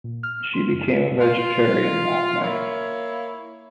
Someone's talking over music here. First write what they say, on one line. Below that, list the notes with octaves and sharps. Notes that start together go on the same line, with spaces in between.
She became a vegetarian that night.
A#2
F6
C6
F#2
F4
A#3 E4 C#5